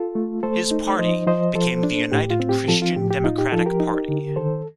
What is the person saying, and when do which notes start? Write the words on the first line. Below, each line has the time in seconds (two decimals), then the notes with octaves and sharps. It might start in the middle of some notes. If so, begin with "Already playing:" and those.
His party became the United Christian Democratic Party.
Already playing: F4 A4
0.15 A3
0.43 A3 A4 C5
0.71 D#4
0.99 F3 C5 D#5
1.27 F3 C5 D#5
1.55 F3 A4 C5
1.83 D4
2.12 A2 G4
2.30 F4
2.40 C4
2.49 G4
2.68 F3 F4 A4
2.82 F4
2.96 A2 G4
3.10 G4
3.24 D#4 F4
3.38 G4
3.52 F3 F4 A4
3.66 G4 A#4
3.80 D#4
4.08 D3
4.36 D#3 A4 C5